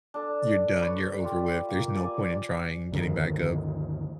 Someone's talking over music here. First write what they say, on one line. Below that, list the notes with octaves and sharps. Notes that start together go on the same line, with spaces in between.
You're done, you're over with, there's no point in trying getting back up.
D4 A4
B4 C#5 D5
F4 G4 D5
A#3
D5 G#5
D2 G2 D3 D#3